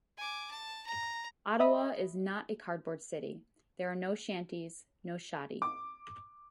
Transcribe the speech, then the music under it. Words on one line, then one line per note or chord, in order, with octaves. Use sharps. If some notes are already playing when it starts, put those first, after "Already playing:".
Ottawa is not a cardboard city; there are no shanties, no shoddy.
G#5 D6
A5
A#5
D#5 E5 B5 D#6
D6